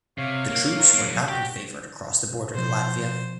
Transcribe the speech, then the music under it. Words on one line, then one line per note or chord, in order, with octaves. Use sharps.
The troops were not in favor to cross the border to Latvia.
C3 C#5 F5
A#3
F4 A#4
F#3 A#3
F#4 G4 G5
B2 F3 C5